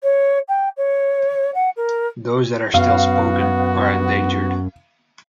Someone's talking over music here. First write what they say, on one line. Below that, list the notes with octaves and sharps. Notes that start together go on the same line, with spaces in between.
Those that are still spoken are endangered.
C#5
G5
C#5
F#5
A#4
F#2 B3 F#4 F5